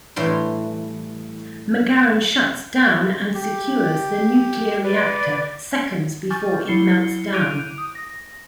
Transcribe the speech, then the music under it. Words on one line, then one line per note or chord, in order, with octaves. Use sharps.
McGarren shuts down and secures the nuclear reactor seconds before it melts down.
A2 E3 G3 C6
G4
B4 D5
G#5 C#6 D6 F6 G6 A6
F#3 E4 C7 C#7 G7
D6 F#6 G6 D7 D#7 F7
D#6
A#6